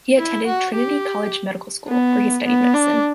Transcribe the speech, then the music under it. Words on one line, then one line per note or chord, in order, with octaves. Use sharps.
He attended Trinity College Medical School, where he studied medicine.
E4
F#4
G4
B3
B3
D4